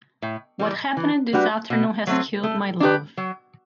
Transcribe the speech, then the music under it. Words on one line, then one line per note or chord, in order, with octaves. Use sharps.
What happened this afternoon has killed my love.
A2
E3 G3
E3
G3 D4 F#4 B4
B2
F#3 A3 C4
A3
D4 G4 B4
F#3